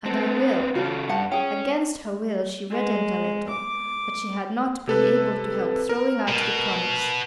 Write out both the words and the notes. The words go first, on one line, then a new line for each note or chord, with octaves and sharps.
"And I will." Against her will she reddened a little; but she had not been able to help throwing out the promise.
B3 C4 A4
C#3 C#4 F4 F#4 A4
G2 F#5 A5
C#4 G#4 G5
G#3
D6
C3 A4 B4
A#4
B2